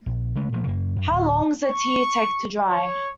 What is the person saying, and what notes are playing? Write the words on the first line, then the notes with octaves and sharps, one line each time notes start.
How Long's a Tear Take to Dry?
A#1
C#3 G#3 A3
A#2 F3 A3
F#2 C#3 A#3
F#2
D1
C#6
C#5